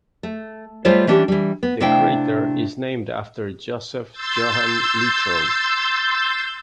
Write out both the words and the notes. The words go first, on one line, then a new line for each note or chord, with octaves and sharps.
The crater is named after Joseph Johann Littrow.
A3
G3 A3 F4 G#4 C5 C#5
E3 C#4 D4 F#4 G4
E3 G3
B3
C3 A3 D4 E4 F5 G5
C6 E6 G6 A6